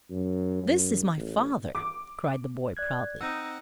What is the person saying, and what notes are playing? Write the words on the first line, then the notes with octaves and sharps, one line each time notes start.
"This is my father," cried the boy proudly.
F#2
F#2
A1
D6
D5 F#6 G#6
C4 D#4 F#5 E6